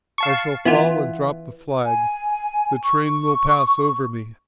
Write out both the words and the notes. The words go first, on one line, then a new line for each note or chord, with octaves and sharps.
I shall fall and drop the flag; the train will pass over me.
F5 A5 C#6
E3 B3 F4
G#5
C#6